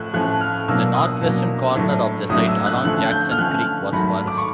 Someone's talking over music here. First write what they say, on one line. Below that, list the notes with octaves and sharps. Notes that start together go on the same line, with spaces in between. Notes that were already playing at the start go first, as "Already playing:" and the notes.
The northwestern corner of the site along Jackson Creek was forest.
Already playing: A2 F3 A3 F#6
A2 F3 A3 C#4 F#6
F6
B2 F#3 A#3 D4 E6
D#6
B2 F#3 A#3 D4
A2 F#3 A3 D4
A2 F#3 A3 D4 D#6
E6
F#6
D3 F3 A3 C#4 F#6
G6
F6
D3 F3 A3 C#4 F#6
G#2 D#3 F#3 A3 B5
D6
C#6